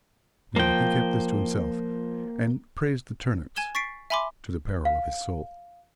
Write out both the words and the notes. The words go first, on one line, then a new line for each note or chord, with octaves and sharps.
No, he kept this to himself, and praised the turnips to the peril of his soul.
F3 A#3 F4 G5
G#5 G#6 E7 G7
C#6 A6 B6 C7 D7
E5 G#5 B5 C6 D6
F5